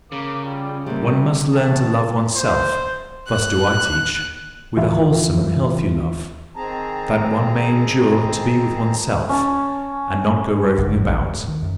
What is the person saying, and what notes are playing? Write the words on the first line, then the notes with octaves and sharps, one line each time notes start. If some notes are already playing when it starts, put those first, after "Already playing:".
One must learn to love oneself--thus do I teach--with a wholesome and healthy love: that one may endure to be with oneself, and not go roving about.
C#3 A#3 D6
G3 F4
C3 G3 A#3 G4
B2 E3 G5 A5
C5
F#6
D2 E3 F4 E5
D#3 C4 G#4 A5 A#5
C#4 C#5 A5
F#1
E2
A1
G2
A2
D#3
F#2